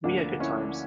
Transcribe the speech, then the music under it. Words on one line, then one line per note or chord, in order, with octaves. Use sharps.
We had good times.
D2 D3 F3 A#3 D4
C#4 E4